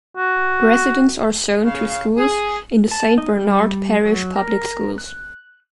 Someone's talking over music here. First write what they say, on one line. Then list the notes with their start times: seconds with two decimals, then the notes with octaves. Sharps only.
Residents are zoned to schools in the Saint Bernard Parish Public Schools.
0.17 F#4
1.64 C#3 F5
2.17 G#4
2.91 A5
3.18 D#4
3.36 G3
4.05 F#3
4.36 A#4
4.98 F#6